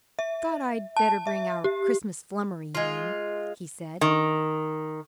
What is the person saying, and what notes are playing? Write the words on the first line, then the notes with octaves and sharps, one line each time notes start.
"Thought I'd better bring our Christmas flummery in," he said.
E5
A5
E5
G4
G#3 F4
D#3